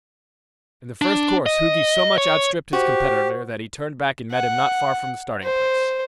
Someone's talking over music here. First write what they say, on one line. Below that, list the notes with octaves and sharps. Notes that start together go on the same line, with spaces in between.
In the first course Hugi so much out-stripped his competitor that he turned back and met him not far from the starting place.
D4
D#5
C#5
F#4 G4 C5
F#5
C5